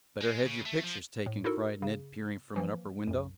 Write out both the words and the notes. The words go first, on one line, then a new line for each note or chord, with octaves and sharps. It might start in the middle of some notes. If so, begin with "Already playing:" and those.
"Better have your pictures taken!" cried Ned, peering from an upper window.
G#3
C#3
A3
F3
A2
D#4 E4 F#4 A4 A#4
C#3
E3 F3 A#3
B1 F#2